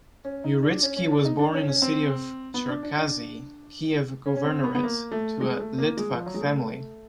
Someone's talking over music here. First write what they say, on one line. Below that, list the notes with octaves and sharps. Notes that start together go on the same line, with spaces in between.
Uritsky was born in the city of Cherkasy, Kiev Governorate, to a Litvak family.
C#4
D#4
D4
C#4
C#4
D4
D#4
D4
C#4
C#4
C4
B3
D4
D4
D4
C#4
C#4
C4
B3
B3
A#3
A3
G#3
A3
A#3
G#3
F3
F#3
G#3
A3